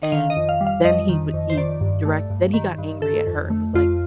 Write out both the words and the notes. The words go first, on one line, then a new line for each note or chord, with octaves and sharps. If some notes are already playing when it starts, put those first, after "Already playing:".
and then he w he direct then he got angry at her and was like,
D#5
D#3 F5
D#5
F2
F5
G3
F5
F2 D#5
D#3
F2
C5
D#3 D5
G2
A3
G2
D#3
G2
D#3 A4
F2
A3
F2 F4